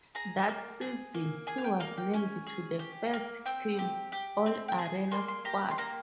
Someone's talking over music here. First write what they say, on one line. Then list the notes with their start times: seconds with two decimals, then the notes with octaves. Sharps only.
That season, he was named to the First-team All-Arena squad.
0.15 G#4 A#5
0.48 A#3
0.81 G#4
1.14 A#3
1.47 G#4 G#5
1.58 F5
1.64 G5
1.80 A#3 F5
1.97 G5
2.14 C#4 G#5
2.47 G#4
2.79 G4
3.14 A#3
3.46 C4 G5
3.79 G4
4.12 G4
4.46 C4
4.68 G5
4.78 G#4 G#5
5.11 A#3 C6
5.28 C6
5.45 G4 A#5
5.71 C6
5.78 A#3 A#5